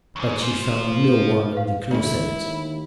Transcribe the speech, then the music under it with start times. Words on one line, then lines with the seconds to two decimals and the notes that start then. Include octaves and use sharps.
But she found no one in the closet.
0.16 D#2 G#2
0.42 F4 C5
1.52 B4 F5
1.91 D2 G#2 D3 E4
2.41 D#2